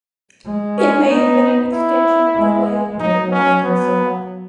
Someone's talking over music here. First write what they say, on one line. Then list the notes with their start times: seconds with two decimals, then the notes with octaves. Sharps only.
It may have been an extension of the lade to the west and south.
0.46 G#3
0.78 C#4
1.09 B3 D#4
1.73 E4
2.37 G#3
3.00 F#3 D#4
3.32 C#4
3.64 F#3 B3